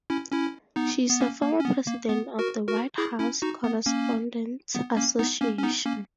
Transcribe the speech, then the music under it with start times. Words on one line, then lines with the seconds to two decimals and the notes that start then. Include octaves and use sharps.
She is a former President of the White House Correspondents' Association.
0.10 C#4 E4
0.32 C#4 E4
0.76 B3 D#4
1.10 B3
1.21 A#3 C#4
1.43 A#3
1.60 C#4
1.65 B3
1.87 A#3
2.09 B3
2.39 F#4 A#4
2.68 F#4 A#4
2.98 E4 G#4
3.20 C#4 E4
3.42 D#4 F#4
3.64 B3
3.86 A#3 C#4
4.75 B3
4.97 A#3 C#4
5.19 B3 D#4
5.41 A#3 C#4
5.58 C#4
5.63 B3 D#4
5.86 A#3 C#4